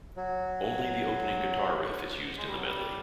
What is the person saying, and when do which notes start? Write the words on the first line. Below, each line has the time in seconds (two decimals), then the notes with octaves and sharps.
Only the opening guitar riff is used in the medley.
0.17 F#3
2.37 G#3
2.46 G3
2.56 F#3
2.64 G3